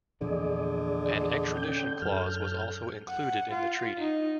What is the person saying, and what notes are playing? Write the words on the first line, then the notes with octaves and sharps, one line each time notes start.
An extradition clause was also included in the treaty.
E2 A#2 D3 F3 G#4 D5 D#5
C#4 G5 G6
F#2 A4 F6 G6
F#5
F4
D#4